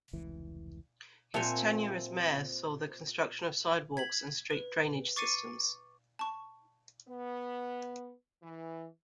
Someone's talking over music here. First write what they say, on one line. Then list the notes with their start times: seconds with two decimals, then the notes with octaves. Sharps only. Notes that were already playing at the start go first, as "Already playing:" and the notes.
His tenure as mayor saw the construction of sidewalks and street drainage systems.
0.13 F1 C#2 E3
1.34 A#2 C4 C5 E5 G#5 A5 C#7 F7
3.97 G#6 B6 F#7
4.51 B4
5.16 C#6 D6 A6 C7 C#7 D#7
6.19 A5 C#6
7.08 B3
8.43 E3